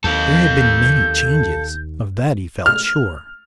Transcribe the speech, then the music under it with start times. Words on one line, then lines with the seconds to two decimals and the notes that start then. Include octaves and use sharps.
There had been many changes, of that he felt sure.
0.04 D#2 A4 F5 G6
2.66 F6